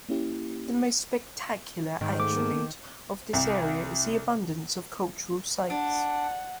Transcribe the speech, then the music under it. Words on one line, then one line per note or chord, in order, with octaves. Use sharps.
The most spectacular attribute of this area is the abundance of cultural sites.
A#3 C#4 E4 G4
G#2 D#3
A3 D6
A#3 B3 A4
C2
D4 F#5